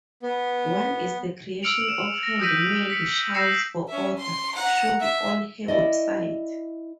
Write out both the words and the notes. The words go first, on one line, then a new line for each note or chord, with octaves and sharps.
One is the creation of hand-made shawls for order, shown on her website.
B3
E6 F6 C#7 D7 F7 F#7
E7
A#6
D#6 E6 G6 A#6 B6 D#7
B6 C#7
E6 G6 A#6 C7 C#7 E7
C#4 E5
C6
F#5 A#5
E5
E4 D5 D#5